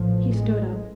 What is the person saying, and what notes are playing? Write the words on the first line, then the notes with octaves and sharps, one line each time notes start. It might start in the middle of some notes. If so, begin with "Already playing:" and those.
He stood up.
Already playing: A1 A2 F3
G#3